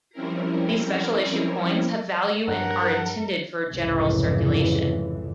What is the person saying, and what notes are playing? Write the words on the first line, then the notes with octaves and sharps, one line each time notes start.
These special issue coins have value and are intended for general circulation.
F3 G3 C4 C#4 E4 A#4
G2 A#4 C#5 F#5
C2 F2 G#2 C#3 E3